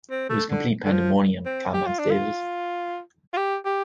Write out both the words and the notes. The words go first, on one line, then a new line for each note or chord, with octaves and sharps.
"It was complete pandemonium," Kallman stated.
C4
A3
D3
D3
F3
C4
G4
F4
D4
F4
F4
G4
G4